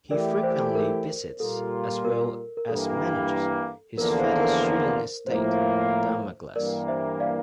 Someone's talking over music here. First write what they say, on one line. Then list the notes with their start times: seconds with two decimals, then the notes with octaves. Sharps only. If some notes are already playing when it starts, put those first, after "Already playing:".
He frequently visits, as well as manages, his father's shooting estate, Dunmaglass.
0.11 E3 A3 E4 G4 A#4 D5
0.43 C5
0.75 A#4
1.40 A#2 G3 A#3 F4 A4
2.05 A#4
2.57 A#4
2.69 G2 E3 A#3 A4
3.98 E2 D3 F3 A#3 A#4
4.19 C5
4.41 A#4
4.62 A#4
5.26 A2 F3 A#3 E4 C5
6.56 G2 E3 A#3 A#4 D5
6.88 C5 E5
7.20 D5 F5